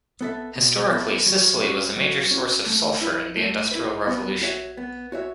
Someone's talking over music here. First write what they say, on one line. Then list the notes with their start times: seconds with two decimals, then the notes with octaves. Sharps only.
Historically, Sicily was a major source of sulfur in the Industrial Revolution.
0.21 B3 A4 E5
0.56 B2
0.91 B3 A4 E5
1.26 F#3
1.61 C#4 F#4
1.96 F#3
2.31 C#4 F#4
2.66 A3
3.01 E4 B4
3.37 A3
3.71 E4 B4
4.07 B3
4.42 F#4 C#5 E5
4.77 B3
5.12 F#4 C#5 E5